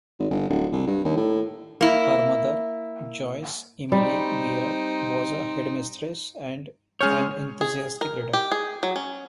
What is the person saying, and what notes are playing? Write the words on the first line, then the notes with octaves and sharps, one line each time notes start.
Her mother, Joyce Emily Beard, was a headmistress and an enthusiastic reader.
G#1
G1
D1
C2
G2
D#2
A2
A#3 E4
G3 C4 D#4
G#3 C#4 G#4 C#5 F6 G6
G#4
A#4
G4
G#4
F#3
C#4